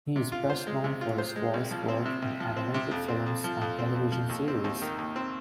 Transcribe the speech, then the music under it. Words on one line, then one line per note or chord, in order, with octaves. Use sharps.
He is best known for his voice work in animated films and television series.
C3
F4
C5
G#3
C3
F4
C5
G#3
C2
F3
C4
C3
C2
F3
C4
C3
F2
C4
F2
F3
F2
C4
F2
F3
D#2
C4
D#2
D#3
D#2
C4